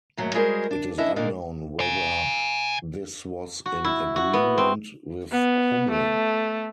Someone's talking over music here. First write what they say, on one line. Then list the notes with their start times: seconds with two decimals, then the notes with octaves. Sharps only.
It is unknown whether this was in agreement with Hummel.
0.17 D#2 G#2 F#3 A3
0.34 G3 G#3 F#4 G#4 A#4 C5
0.71 D4
0.98 C#4 D4 E4 D#5 E5
1.16 A#2 D3 A#3 D4 D#5
1.80 F5 G#5
3.66 F#4
3.84 E4
4.16 F#4
4.33 B3
4.58 C4
5.32 B3
5.91 A3